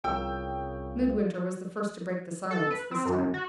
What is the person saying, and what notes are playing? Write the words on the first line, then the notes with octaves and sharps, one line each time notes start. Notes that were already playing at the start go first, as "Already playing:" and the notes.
Midwinter was the first to break the silence this time.
C2 C#3 F4 A#4 F5 G5 E6
A4
B4
C4
F#2
F#4